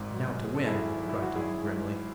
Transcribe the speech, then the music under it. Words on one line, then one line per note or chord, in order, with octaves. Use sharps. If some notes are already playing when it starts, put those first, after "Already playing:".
"Now to win!" cried Tom, grimly.
Already playing: G#1 G#2
F#3
G#1 G#4
A4
E4 G#4
G#1
F#3 E4
F#4
F#3 E4 G#4
G#2